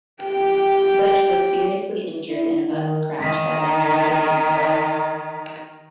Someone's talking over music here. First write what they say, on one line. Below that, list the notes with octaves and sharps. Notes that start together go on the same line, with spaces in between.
Butch was seriously injured in a bus crash that left him clinging to life.
G4 G5
E4
D#3
D#3 D#4